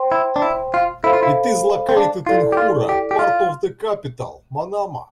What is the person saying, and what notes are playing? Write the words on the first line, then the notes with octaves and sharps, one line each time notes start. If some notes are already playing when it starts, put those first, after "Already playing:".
It is located in Hoora, part of the capital, Manama.
Already playing: C5 G5 C6
E4
D4
E4
F4
E4 A4 C5 F5 B5
F4
E4
C4
D4
E4 F4 A4 D5
G4
F4
G4
G4
F4